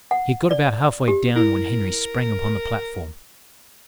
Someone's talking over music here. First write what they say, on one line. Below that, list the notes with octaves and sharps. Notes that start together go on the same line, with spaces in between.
He had got about half-way down, when Henry sprang upon the platform.
F#5
D5
G4
E4 A#4